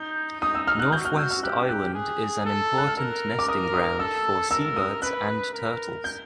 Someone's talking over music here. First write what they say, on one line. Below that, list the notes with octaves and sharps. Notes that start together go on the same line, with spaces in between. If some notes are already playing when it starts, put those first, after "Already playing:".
North West Island is an important nesting ground for seabirds and turtles.
Already playing: D#4 G6
D#4 D#6
E6
F6
F#6
F#4 G6
F6
E6
F6
G4 F#6
F#6
G#4
A4
F#6
F6
A#4 E6
D6
A#4 D#6
D#6
A4 E6
A#4 E6
D#6
B4 F#6
A#4
G6